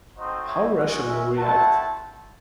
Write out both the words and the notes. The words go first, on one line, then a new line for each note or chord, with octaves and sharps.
How Russia will react?
A3 C4 D#4 F#4 C5 D#5
C#5 E5
G#3 C#4 F#4 D#5 F#5
E5 G#5
A3 C4 E4 F#5 A5